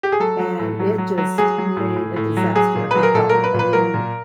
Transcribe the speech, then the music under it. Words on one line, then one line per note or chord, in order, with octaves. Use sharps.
And it just made a disaster of her health, I mean,
G4
G#4
F#3 A4
F#3
A2
F#3
F#3
F#3
F#3 G#4
F#3
A2
A2
A2
F#3
F#3 G#4
A#2
F#3 B4
A#4
A#2 A4
F#3 A#4
B4
A#2 B4
F#3 A#4
A#2